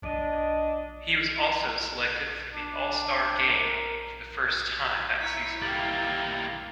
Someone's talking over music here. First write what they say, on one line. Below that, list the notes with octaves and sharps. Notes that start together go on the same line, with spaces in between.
He was also selected for the All-Star Game for the first time that season.
D4 D#5
D4
A#4
E4 A#5 C#6 B6
G3 A#3 F5 G5 A6